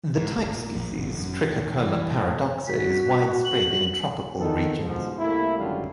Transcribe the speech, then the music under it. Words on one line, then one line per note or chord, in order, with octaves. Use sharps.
The type species, Trichocoma paradoxa, is widespread in tropical regions.
G#2
G1
A#2
A#1
G1
F#2
D#2
E3
A2
C5
F#4 B6
F#7
D#3 B3 A4
G#2 B2 D3 F3
C2 A3 A#3 E4
G#1 F#2 D3 F#3 G3 F4